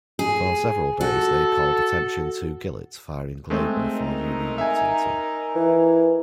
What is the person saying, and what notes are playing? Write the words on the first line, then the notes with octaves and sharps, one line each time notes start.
For several days they called attention to Gillett firing labor for union activity.
G#4
F#4 A4
G#3 A3 C4
D#4 A#4
E5 G#5
E3